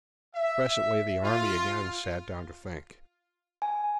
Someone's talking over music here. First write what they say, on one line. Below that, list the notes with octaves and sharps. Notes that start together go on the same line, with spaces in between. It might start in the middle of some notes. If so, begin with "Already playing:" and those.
Presently the army again sat down to think.
E5
F4
G#5